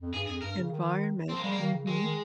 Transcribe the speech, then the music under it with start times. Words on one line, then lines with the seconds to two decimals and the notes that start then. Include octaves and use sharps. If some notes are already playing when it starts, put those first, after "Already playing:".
Environment, mhm.
0.01 F2
0.14 G2 G#4
0.27 F2 G#4
0.42 G2 A#4
0.57 C#3
0.71 D#3
1.29 F3 C4
1.36 A#3
1.44 G3 G#3
1.52 A#3
1.59 D#3
1.73 C#3
1.87 D#3 G#3
2.03 D#3